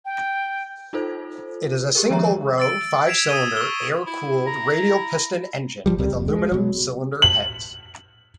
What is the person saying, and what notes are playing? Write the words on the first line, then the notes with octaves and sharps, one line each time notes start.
It is a single-row five-cylinder air-cooled radial piston engine with aluminum cylinder heads.
G5
D#4 F4 A4 C5
G4 G#4 A#4
D#3 F3 G#3 C#5 E5 A#5
E6 A6 D7
G#6 B6 C7 D7 E7 F7
D#6 G#6 D#7 G7
C#6 G7
E4
A#5
G#1 D2 F3 G3
C#2 C3 G3
F1
G#3
B2 F#3
F#7